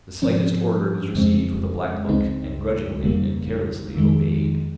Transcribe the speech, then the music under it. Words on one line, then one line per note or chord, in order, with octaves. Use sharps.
The slightest order was received with a black look and grudgingly and carelessly obeyed.
G#2 F3 C4 C#4
F2 C#3 G#3 C4
C#2 C#3 G#3 C4 D#4
G1 F2 C#3 G3 A#3
F2 D#3 G#3